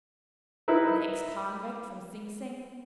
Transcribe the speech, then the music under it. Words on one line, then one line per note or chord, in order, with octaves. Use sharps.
An ex-convict from Sing Sing!
D#4 E4 A#4 B4 E5